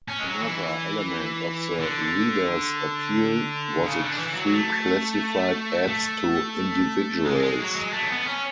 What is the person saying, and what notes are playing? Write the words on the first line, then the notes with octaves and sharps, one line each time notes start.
Another element of the "Reader"'s appeal was its free classified ads to individuals.
C#4
G#3
F#3
E3
D3
C#3
D3
E3
F#3
A3
A3
G#3
G#3
F#3
G#3
A3
C#4
B3
C#4